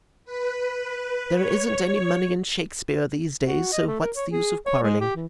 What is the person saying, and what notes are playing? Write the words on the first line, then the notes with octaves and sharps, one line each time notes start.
There isn't any money in Shakespeare these days, so what's the use of quarrelling?
B4
C#5
F#4
D#5
A3
A#4
C#5
G#4
C#5
G#3
G4
E3